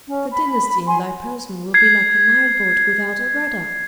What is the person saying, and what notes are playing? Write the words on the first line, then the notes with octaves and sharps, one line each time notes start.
The dynasty in thy person will be like a Nile boat without a rudder.
C#4
B5
G#5 C6
G#6 C7